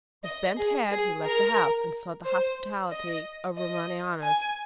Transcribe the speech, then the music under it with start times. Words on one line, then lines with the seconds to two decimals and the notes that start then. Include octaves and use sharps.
With bent head he left the house and sought the hospitality of Romanianus.
0.24 D#5
0.57 G#4
0.91 G#4
1.24 A#4
2.25 C5
2.91 D#5
3.57 D#5
4.23 G#5